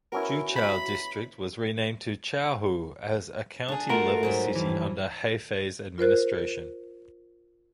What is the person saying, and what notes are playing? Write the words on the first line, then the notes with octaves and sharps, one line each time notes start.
Juchao District was renamed to Chaohu as a county-level city under Hefei's administration.
B3 C#4 E4 F#4 A#4
B5
D4 G#4
A3 F4 F#4 A#4
G#2 F#3 G3
G2 E3
F4 A#4 C5 F#6